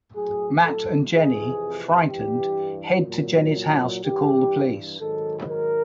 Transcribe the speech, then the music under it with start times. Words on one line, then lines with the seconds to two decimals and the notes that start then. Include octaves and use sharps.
Matt and Jenny, frightened, head to Jenny's house to call the police.
0.15 A2 F#3 G#4
0.64 A4
1.13 F2 C3 E3 G#4
2.09 G2 E3 G4
3.07 A#2 F#3
4.03 G2 E3 G4
5.00 G#2 D#3 F#3 A4
5.49 A#4